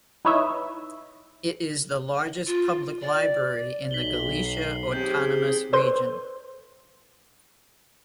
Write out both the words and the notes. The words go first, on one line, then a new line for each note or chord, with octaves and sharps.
It is the largest public library in the Galicia Autonomous Region.
D#4 E4 B4 C#5 D#5 E5
F4
D5
B1 B6 F#7 G7
C7
D#2 G#3 C4 G4 G6
A4 B4 C5 C6